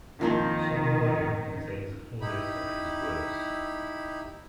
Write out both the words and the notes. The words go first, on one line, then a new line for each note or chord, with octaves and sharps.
The same volume contains a full list of his works.
D#3 F3 A#3 C4
D#4 E4 G4 B5